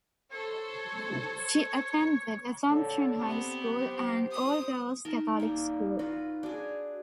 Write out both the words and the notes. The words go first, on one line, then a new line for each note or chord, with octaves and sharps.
She attended Assumption High School, an All-Girls Catholic school.
A4 C5 C#5
D3 C#5
B3 C4 G4
C5
D#6
D#4 A#4 A5
G3 A#3
F4 F#4 B4
D4 F#4 G#4